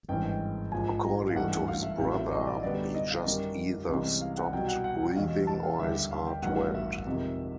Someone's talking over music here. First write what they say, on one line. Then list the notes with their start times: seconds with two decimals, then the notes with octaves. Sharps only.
According to his brother, "he just either stopped breathing or his heart went".
0.09 G#1 G2 E3 G#3 C#4 G5
0.25 G5
0.72 A#1 G#2 F3 G#3 G#5
1.05 A#5
1.29 F5
1.35 G2 E3 A3 C#4 F#5
1.52 F#5
1.68 F5
1.83 E5
1.99 A1 A2 F#3 A3 C4 F5
2.15 E5
2.31 D#5
2.47 D5
2.62 F#2 D3 G3 B3 D5
2.95 D#5
3.10 F5
3.26 F#2 D#3 G3 A#3 C#4
3.89 C2 C3 E3 G#3 C#4
4.21 F5
4.37 F#5
4.53 C2 B2 F#3 G5
4.68 F#5
4.84 F#5
5.15 E2 B2 G#3 C#4 F5
5.47 A5
5.64 F5
5.79 D#2 D3 G3 E5
5.96 E5
6.11 F5
6.27 G5
6.43 A1 G2 D#3 F#3 B3 F#5
6.59 F5
6.74 E5
7.06 F2 C3 D#3 G#3